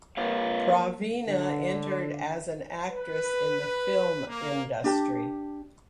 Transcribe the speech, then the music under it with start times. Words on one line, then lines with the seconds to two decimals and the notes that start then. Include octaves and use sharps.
Praveena entered as an actress in the film industry.
0.17 A#3 F4 A#4 B4 C#5 F5
1.28 D3
2.89 B4
4.28 A#3
4.84 D4 G4 A5